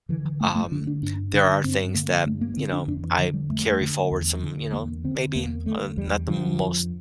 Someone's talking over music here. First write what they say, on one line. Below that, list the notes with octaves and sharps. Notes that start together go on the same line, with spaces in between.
um, there are things that, you know, I carry forward some, you know, maybe, uh, not the most
D3 E3
E3
G2 A3
A3
D3 D4
D4
G2 D4
D3 D4
G2 C4
D3 A#3
G2 A3
A#3
D3 C4
D4
F2 D4
E3
D3 F3
G3
F2 A3
D3
E2
D3
E2 A#3
D3 C4
E2 A#3
D3 A3
E2 G3
D3 F3
F2